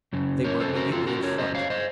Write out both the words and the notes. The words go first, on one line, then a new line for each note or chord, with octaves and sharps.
They were immediately in front.
F#2 C#3
A#4 C#5
A4 C5
F#4 A#4
F4 A4
F#4 A#4
A#4 C#5
C5 D#5
C#5 F5
C5 D#5